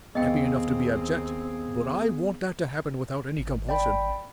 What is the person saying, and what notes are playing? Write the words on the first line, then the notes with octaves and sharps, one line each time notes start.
I'm happy enough to be abject, but I want that to happen without any compulsion.
D#2 B3 C4 G#4 D#5 G5
G#1
D5 G5 B5